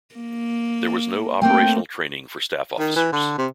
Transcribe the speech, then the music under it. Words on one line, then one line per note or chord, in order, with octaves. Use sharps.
There was no operational training for staff officers.
A#3
A3 A#3 C4 G5
D#3
E3
D3
C3